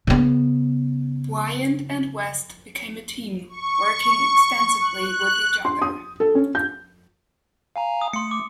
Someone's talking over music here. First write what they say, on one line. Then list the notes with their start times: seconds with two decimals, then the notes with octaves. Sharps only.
Bryant and West became a team, working extensively with each other.
0.07 C#3 B3
3.49 C#6
4.80 F#6
5.65 C6
5.82 D#6
6.20 A4
6.35 C#4
6.55 G6
7.76 F5 G#5 A#5
8.01 D#6
8.13 A3 C6 C#7
8.31 D6